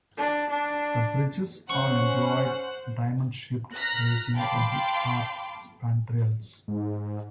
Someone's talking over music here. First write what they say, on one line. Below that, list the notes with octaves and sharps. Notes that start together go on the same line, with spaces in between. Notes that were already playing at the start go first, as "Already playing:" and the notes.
The bridges all employed diamond-shaped bracing in the arch spandrels.
D4
D4
C#4 C5 F#5 C#6
A#5 F6 F#6 A#6 B6
F5 G5 A5 B5 C6 D6
G#2